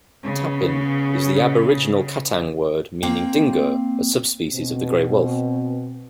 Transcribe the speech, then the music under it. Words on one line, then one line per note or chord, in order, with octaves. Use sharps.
"Tapin" is the Aboriginal Kattang word meaning dingo, a subspecies of the grey wolf.
C#3 B3
A#3 C4 G5
B2 C4